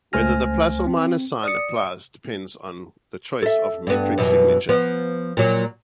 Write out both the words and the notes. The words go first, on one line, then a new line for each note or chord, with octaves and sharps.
Whether the plus or minus sign applies depends on the choice of metric signature.
C#2 A3 C5 G#5 F6 A#6
C4
D5 D#6 C#7
A4 E5
G2 B3
F#2 B2 E3
F3 B3
A#2 F#3